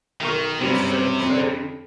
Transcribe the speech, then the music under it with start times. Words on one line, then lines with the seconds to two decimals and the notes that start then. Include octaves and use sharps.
it's safe to say,
0.21 B1 D#3 A#4 C#6
0.61 G2 C3 F#3 G3 C4 C#4
1.19 F2 B5